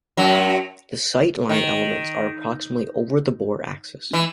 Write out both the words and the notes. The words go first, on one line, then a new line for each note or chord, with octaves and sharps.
The sight line elements are approximately over the bore axis.
F#2 F#3
D#3
E3